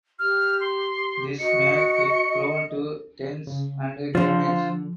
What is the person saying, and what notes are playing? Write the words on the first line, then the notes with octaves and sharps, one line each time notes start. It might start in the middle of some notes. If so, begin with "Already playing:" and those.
This made it prone to dents and damage.
G4 F6
C6
F#4 D#5 C#7
C#3
D3 F3 D4 F4 C5